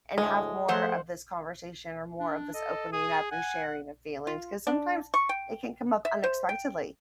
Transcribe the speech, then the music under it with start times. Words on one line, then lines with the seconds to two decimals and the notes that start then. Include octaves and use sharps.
and have more of this conversation or more of this opening up and sharing of feelings," 'cause sometimes it can come up unexpectedly
0.18 D2 A2 G#3
0.68 F3 A3 C5 F#5
2.20 D4
2.54 A4 D#5
2.93 G#4 D#6
3.31 F#5 G#5
4.27 F4
4.67 D4
5.14 C#6
5.29 G5
6.05 E5
6.24 C5
6.49 G5